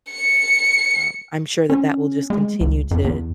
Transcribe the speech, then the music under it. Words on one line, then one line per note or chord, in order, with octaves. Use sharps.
um, I'm sure that that will just continue to
C#7
C#4
G#3
C#2
F2
E2